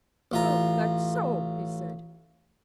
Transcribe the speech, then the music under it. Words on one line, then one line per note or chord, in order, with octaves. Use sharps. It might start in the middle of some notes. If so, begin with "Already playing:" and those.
"Well, that's so," he said.
A1 F4 A#5